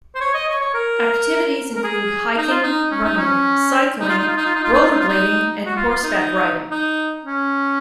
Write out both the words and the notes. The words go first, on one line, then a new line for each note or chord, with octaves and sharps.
Activities include hiking, running, cycling, rollerblading, and horseback riding.
C5
C#5
D#5
C#5
C#5
A#4
A#4
G#4
D#4
F4
D#4
C#4
D#4
C#4
D#4
F4
D#4
F4
D#4
F4
D#4
F4
D#4
F4
D#4
F4
D#4
F#4
F4
F4
D#4
D#4
D#4
C#4